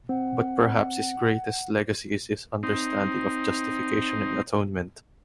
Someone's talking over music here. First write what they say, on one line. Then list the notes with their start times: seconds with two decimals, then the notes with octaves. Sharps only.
But perhaps his greatest legacy is his understanding of Justification and Atonement.
0.09 C4 F#5
2.63 C4 D#4